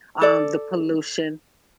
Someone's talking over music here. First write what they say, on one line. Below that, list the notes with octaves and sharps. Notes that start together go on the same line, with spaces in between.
um, the pollution,
A4 D5